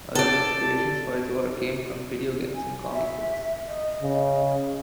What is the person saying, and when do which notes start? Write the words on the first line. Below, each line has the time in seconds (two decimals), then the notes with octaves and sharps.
Other inspirations for his work came from video games and comic books.
0.15 A4 D5
2.55 G#5
2.93 E5
3.68 D#5
4.02 C#3